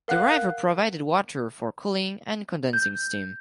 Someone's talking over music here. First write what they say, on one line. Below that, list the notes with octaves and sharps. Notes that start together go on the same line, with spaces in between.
The river provided water for cooling and condensing steam.
A#4 F5 F#5 F#6
G6